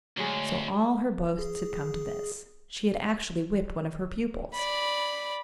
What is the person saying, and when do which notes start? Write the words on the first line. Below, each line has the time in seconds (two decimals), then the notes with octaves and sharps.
So all her boasts had come to this . . . she had actually whipped one of her pupils.
0.17 D2 F#3 G#3
1.39 G#4
4.55 D5 B5